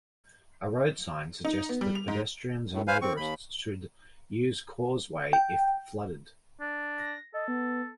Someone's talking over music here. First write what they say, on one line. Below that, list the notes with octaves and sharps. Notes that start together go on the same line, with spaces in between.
A road sign suggests that pedestrians and motorists should "Use causeway if flooded".
D#4
B3
G3
F7
G#2
F#2 A2
B4 C5 F5 G#5
C4 C#6
D#2 B5
G5
D4
A#6
A4 D#5
B3